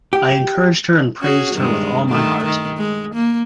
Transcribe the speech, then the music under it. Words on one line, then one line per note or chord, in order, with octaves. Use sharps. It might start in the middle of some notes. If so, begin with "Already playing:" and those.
I encouraged her and praised her with all my heart.
G4
C#4 F#4 G#4
G2 D#3 G#3
D#3 A3
D#3
G#3
A#3